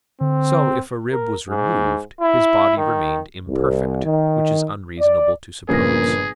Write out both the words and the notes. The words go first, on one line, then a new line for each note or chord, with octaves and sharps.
So, if a rib was removed, his body remained imperfect; which is unreasonable to suppose.
D3 C4
A#4
G#2
E4
D#3
C2
D#3
D5
G1 A#2 C#3 F3 G#4 A#4 A#6